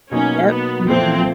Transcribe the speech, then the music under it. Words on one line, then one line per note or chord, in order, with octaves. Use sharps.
Yep. Mhm.
B2 F#3 A#3 C#4 D#4
B3
A#2 F3 A3 C4